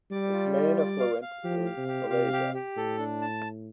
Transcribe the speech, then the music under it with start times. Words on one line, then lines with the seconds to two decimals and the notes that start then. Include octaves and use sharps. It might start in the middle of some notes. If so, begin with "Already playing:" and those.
Its main affluent is Malaysia.
0.11 G3 D5
0.33 F4
0.55 F4
0.78 D5
1.00 F5
1.22 F5
1.44 F3 G4
1.65 F5
1.77 C3
1.88 G4
2.10 C3 F5
2.33 G4
2.55 G4
2.76 A2 A4
2.99 D4
3.21 A5